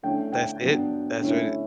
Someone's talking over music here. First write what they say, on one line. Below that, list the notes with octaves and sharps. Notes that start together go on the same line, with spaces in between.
That's it? That's really
D3 A3 C#4 E4 G5
G5
G2 F#3 B3 D4
D3 A3 C#4 E4